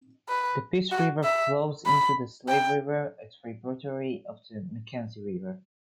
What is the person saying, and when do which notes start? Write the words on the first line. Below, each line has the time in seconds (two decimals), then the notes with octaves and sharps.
The Peace River flows into the Slave River, a tributary of the Mackenzie River.
0.29 B4
0.92 F#4
1.24 E5
1.87 B5
2.49 G5